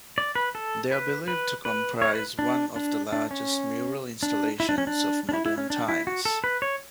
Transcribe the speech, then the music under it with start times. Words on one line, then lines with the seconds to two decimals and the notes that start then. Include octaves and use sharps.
They are believed to comprise one of the largest mural installations of modern times.
0.18 D5
0.35 B4
0.55 A4
0.91 B4
1.28 B4
1.65 B4
2.02 C#5
2.14 B4
2.39 D4
2.76 D4
3.12 D4
3.31 C#4
4.23 D4
4.60 E4
4.69 D4
4.78 C#4
4.87 D4
5.29 D4
5.33 E4
5.46 E4
5.58 C#4
5.70 D4
5.88 E4
6.07 F#4
6.25 A4
6.44 B4
6.62 C#5